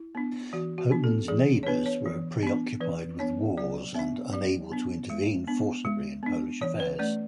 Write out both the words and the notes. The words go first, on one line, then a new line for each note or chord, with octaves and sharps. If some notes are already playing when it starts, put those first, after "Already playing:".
Poland's neighbors were preoccupied with wars and unable to intervene forcibly in Polish affairs.
Already playing: E4
B3 D4
E3 F#4
F#4
B3 D4
A4
E3 G#4
C#5
B3 D4 B4
C#5
E3
B3 D4
E3 B4
B3 D4 C#5
F#3 D5
B3 D4 E5
F#3 D5
B3 D4
G#3
B3 D4
G#3
B3 D4
E3 C#5
B4
A3 C#4 D5